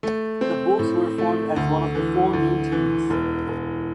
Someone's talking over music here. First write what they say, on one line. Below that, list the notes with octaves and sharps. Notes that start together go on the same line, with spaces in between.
The Bulls were formed as one of the four new teams.
A3
C4
A2
A3
D2
E3
D2
E3
E1
E1